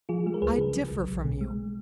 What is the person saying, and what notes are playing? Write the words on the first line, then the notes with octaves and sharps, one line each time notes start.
'I differ from you.
F3 F4 G#4
G#3 G#4
A#4
C#2 G#4 B4
C#3
F#3
B1
B1
B2
G#3